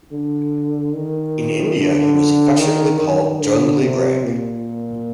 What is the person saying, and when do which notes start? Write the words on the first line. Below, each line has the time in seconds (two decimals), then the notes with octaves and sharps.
In India, he was affectionately called "Jungly" Greig.
0.12 D3
0.94 D#3
1.76 D3
2.58 D#3
3.00 D#3
3.41 D3
3.82 C3
4.24 A#2